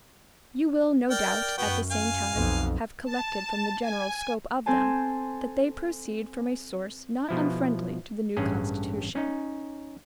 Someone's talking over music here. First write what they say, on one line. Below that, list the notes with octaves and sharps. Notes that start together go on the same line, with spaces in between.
You will, no doubt, at the same time, have collected from the general scope of them, that they proceed from a source not unfriendly to the new Constitution.
A#4 D5 G5
F#2 B3 F#4 G5
F5 G#5
B1 F2
A5
G#5
C4 A4 C5 G#5 A5
B2 F3 E4
A1 G2 C#4 G#4
C#4 D#4